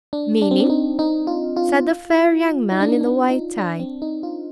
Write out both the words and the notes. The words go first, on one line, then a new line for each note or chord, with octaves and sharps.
"Meanin'?" said the fair young man in the white tie.
D4
D4
C4
D4
D#4
D#4
F4
F4
D#4
D4
D#4
D4
D#4
D4
C4
D#4
F4